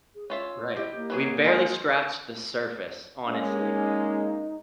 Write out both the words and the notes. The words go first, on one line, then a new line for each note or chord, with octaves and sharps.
Right, we've barely scratched the surface, honestly.
G#4
C#4 F4 C#5 E5
E4 G4 D#5
A#3
E3 F#3 G#4
D#3 G#3 C#4 F4 G5
G#3 A#3 C#4
D#4